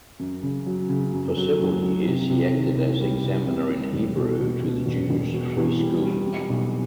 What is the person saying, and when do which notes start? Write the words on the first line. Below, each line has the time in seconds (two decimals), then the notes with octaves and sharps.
For several years, he acted as examiner in Hebrew to the Jews' Free School.
0.20 F#2
0.43 C#3
0.66 F#3
0.89 C#3
1.13 F#2
1.37 F#3
1.59 F#2
1.82 F#3
2.07 C3
2.30 C3
2.53 D#3
2.77 C2
3.00 G3
3.24 C2
3.46 C3
3.69 G3
3.92 E1
4.17 B2
4.39 B2
4.64 B2
4.86 E1
5.09 E1
5.33 B2
5.57 E2
5.80 G3
6.03 G3
6.27 G3
6.49 B1